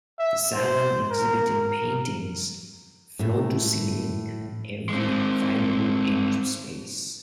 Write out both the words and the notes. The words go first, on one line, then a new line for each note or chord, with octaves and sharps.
The Salon exhibited paintings floor-to-ceiling and on every available inch of space.
E5
C5
A#4
A#4
A2
G#3 C4